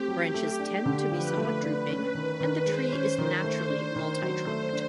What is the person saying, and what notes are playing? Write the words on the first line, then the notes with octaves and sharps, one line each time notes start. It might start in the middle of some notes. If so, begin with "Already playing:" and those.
Branches tend to be somewhat drooping, and the tree is naturally multitrunked.
Already playing: A3 C4 G4
F#3
A3
D4
D3
F3 B4
A3
D4
C#4
D#3
D#3
G#3 C5
C#4
D#3
A3
D4
D#3
F#3 C5
A3
D4